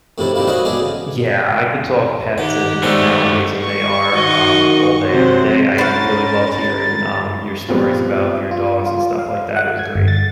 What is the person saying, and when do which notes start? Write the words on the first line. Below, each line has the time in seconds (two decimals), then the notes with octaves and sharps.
Yeah, I could talk pets and and how amazing they are, um, all day every day. I really loved hearing, um, your stories about your dogs and stuff like that. It was great.
0.18 F2 A2 C3 D#3 E4 A4
0.35 A#2 D#3 F3 G3 E4 F4
0.47 F#4 A#4 C5 C#5 D#5 E5
0.65 D3 F#3 G#3 B3 D4 G#4
0.79 C#3
2.38 D#3 G4 F#5
2.83 G#2 D#3 G3 A3 C4
3.61 C#6
4.14 D#3 F#4 D#5 F#5
5.07 C3 F#3 C5
5.78 C#4 F#4 A#4 C5 B5 F6 A6
7.69 A#2 F3 G3 B3 C4 F4
8.51 F4
8.86 F4
9.19 F5
9.56 F#5
9.79 G#6
9.95 G1
10.08 A6